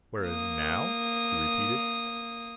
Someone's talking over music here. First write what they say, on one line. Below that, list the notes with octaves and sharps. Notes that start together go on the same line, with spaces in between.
"Whereas now?" she repeated.
A#3 D#6